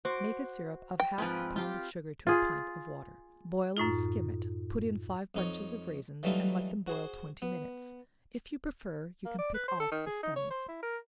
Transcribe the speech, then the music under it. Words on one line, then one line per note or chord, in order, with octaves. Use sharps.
Make a syrup of half a pound of sugar to a pint of water, boil and skim it; put in five bunches of raisins, and let them boil twenty minutes; if you prefer, you can pick off the stems.
F#4 C5 D6
G5
G#2 F3 C4 F4 B4
F4 G4
F4 G#4
F#2 A2 D#4 F4
F2 D#4 C#5
E3 F#3 G3 A3 D#4 F4
F#4 G#4 C5
B3
A#3
D5
B4
C5
A4
D#3
G#4
D#4
C#5
C5
E4
A#4